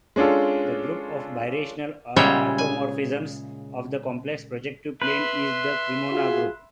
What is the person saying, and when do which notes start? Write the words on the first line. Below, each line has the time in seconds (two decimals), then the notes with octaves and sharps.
The group of birational automorphisms of the complex projective plane is the Cremona group.
0.16 G#3 C#4 D4 F4 A4
2.16 A#2 C#3 G3 G#3 C#5 E5
2.58 G#5
5.02 B4 E5 C6
6.11 F4 F#4 G#4